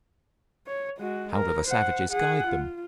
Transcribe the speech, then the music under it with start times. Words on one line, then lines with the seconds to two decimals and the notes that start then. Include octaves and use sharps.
How do the savages guide them?
0.67 C#5
0.99 G#3 F#4
1.34 A#4
1.68 C5 F#5
2.09 G#4 F#5
2.47 F4